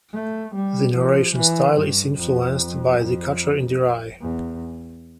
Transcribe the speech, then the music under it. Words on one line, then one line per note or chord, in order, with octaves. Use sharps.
The narration style is influenced by The Catcher in the Rye.
A3
G3
F3
E3
G2
F2
F2
E2